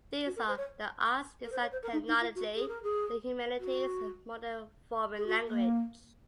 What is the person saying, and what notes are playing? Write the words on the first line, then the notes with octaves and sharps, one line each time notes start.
These are: the Arts; Design and Technology; the Humanities; and a Modern Foreign Language.
F#4
A#4
C5
C#5
A#4
C5
C#5
C5
A#4
D#4
D#4
F4
F#4
G#4
A#4
G#4
F#4
G#4
F#4
A#3